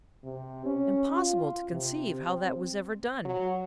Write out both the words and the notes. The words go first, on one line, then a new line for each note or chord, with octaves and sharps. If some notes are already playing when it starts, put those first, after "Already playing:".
Impossible to conceive how that was ever done....
C3
C#4
F4
C3
C4
F#3